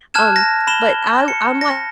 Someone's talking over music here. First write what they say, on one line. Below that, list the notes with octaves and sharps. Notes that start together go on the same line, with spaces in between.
Um, but I I'm like
A5 F6 F#6 G#6 E7
A#6
B5 E7 G7
C#7
A#6